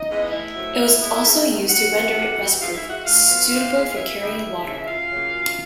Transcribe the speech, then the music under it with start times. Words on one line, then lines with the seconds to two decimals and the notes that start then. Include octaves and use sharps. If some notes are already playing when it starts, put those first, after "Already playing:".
It was also used to render it rustproof, suitable for carrying water.
Already playing: D#4 D#5
0.09 C#3 E3 G#3 B3
0.31 A2 E4 E5
0.54 F#3 A3 C4
0.78 B2
1.01 G#3 B3
1.24 G#2
1.45 D#3 G#3
1.68 A2 F#4 F#5
1.91 E3 G#3 C4
2.14 C3
2.37 E3 G3 B3
2.59 G#2 F4 F5
2.74 E4 E5
2.82 E3 G#3
2.90 F#4 F#5
3.05 A2 F4 F5
3.27 F#3 B3
3.51 C3
3.74 E3 G#3 B3
3.96 F#2 E4 E5
4.19 D3 G3 B3
4.42 D#2
4.64 C#3 E3
4.87 F#2 F4 F5
5.10 C#3 F#3 A#3
5.33 F#2